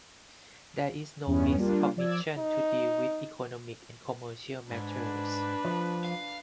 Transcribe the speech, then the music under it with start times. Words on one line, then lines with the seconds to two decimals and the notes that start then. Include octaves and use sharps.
There is no Mixed Commission to deal with economic and commercial matters.
1.27 E2 G2 E3 B3 C#4
1.57 G3 A#3 D4 F4
1.97 F3 D5 E6 G#6
2.38 D#4
4.71 G#2 D4 B4
5.65 F3
6.04 F5